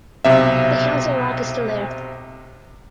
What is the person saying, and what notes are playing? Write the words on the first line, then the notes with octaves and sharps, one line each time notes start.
The Council Rock is still there.
B1 C3 E5